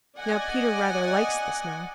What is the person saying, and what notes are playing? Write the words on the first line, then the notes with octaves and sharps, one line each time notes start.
Now Peter rather likes the snow.
D5 D#5 F#5 G#5